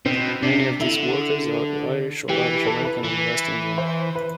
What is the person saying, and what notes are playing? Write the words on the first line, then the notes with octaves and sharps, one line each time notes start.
Many of these workers are Irish or Irish American and West Indian.
B2 C4
C3 D4
D3 E4
E3 G4
A4
B4
E3
C5
B4